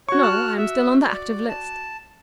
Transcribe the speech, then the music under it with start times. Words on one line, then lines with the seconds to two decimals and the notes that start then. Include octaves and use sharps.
"No, I am still on the active list."
0.09 F#4 C#5 C#6
0.22 A5 F6 F#6
0.57 E5
1.08 D5
1.49 A5